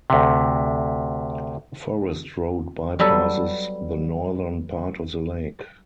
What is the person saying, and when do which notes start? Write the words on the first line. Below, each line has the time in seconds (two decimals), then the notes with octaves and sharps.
A forest road bypasses the northern part of the lake.
0.10 D2 C3
2.99 F#3 G3 B3 A4